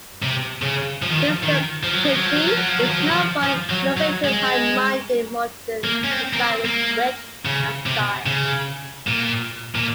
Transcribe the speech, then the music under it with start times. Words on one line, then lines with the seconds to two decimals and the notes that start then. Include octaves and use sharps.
Mr. Pesce is known for innovative high-minded modern design with wit and style.
0.22 C3
0.62 C#3
1.02 F3
1.11 D#3
1.19 F3
1.43 D#3
1.83 F3
1.93 F#3
2.04 F3
2.15 F#3
2.26 F3
2.36 F#3
2.48 F3
2.57 F#3
2.68 F3
2.80 F#3
2.89 F3
3.01 F#3
3.11 F3
3.44 F3
3.70 F#3
3.97 F#3
4.25 G#3
5.84 A#3
6.04 C#4
6.11 C4
6.33 A#3
6.39 C4
6.65 A#3
7.45 C#3
7.86 C3
8.26 C#3
9.07 A#2
9.75 A#2